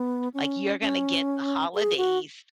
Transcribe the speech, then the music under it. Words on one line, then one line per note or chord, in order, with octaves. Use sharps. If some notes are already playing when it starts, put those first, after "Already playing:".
Like, you're going to get the holidays
Already playing: B3
C#4
C#4
G#4
F#4